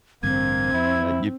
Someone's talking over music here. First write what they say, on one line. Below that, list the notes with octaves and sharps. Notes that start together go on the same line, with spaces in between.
Yeah, you
A1 G2 D3 A#3 C4 G#6
F2 E4